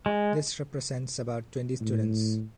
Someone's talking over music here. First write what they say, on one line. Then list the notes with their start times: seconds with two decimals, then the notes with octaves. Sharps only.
This represents about twenty students.
0.06 G#3
1.80 A2